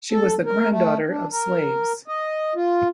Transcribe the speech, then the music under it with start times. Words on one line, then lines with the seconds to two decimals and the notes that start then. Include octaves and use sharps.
She was the granddaughter of slaves.
0.12 A4
0.46 A#4
0.70 A3
1.10 D4
1.32 A#4
2.08 D#5
2.55 F4